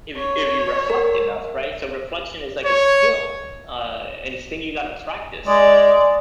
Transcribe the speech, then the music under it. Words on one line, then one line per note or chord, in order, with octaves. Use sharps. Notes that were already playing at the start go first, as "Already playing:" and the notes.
if you if you reflect enough, right? So, reflection is like a skill, uh, and it's a thing you gotta practice,
C#5
A#4
C#5
G#3 D5